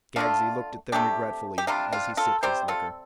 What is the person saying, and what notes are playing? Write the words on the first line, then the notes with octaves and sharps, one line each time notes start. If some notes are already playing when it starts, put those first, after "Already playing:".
Skaggsy looked at them regretfully as he sipped his liquor.
D3 A3 D4 F4
C3 A3 D4 G4
G4
C3 G3 D4 F4
F4
F4 A4
C3 G3 C4 G4 C5
F4 A4